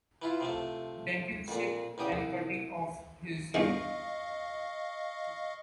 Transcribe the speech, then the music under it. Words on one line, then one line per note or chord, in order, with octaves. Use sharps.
Jenkin's ship and cutting off his Ear.
E3 E4 F4
C3 F3 A3
F2 A#2
E2 C#3 G4 D#6
C2
E2 G2 G#3 D#5 F5 C#6